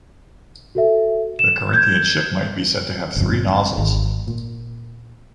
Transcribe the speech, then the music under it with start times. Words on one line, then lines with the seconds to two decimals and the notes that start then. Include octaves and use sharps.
The Corinthian ship might be said to have three nozzles.
0.75 F#4 A4 E5
1.39 E7
1.74 G6 G#6
3.16 G1 F2
3.78 G#1
4.27 A#2